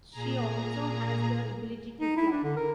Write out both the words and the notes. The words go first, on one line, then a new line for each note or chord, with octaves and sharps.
She also has the ability to fly.
A#2 G#4 A#5
D#4
E4
D4
D3
A#4